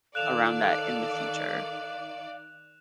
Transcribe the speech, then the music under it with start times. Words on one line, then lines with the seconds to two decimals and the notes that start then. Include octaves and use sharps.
around that in the future.
0.15 D#3 A4 D5 F5 F#6 E7 F7